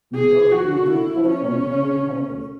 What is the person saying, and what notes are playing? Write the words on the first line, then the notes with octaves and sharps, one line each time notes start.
His hobbies include tennis and playing Tetris.
G#4
F#4
E4
C#4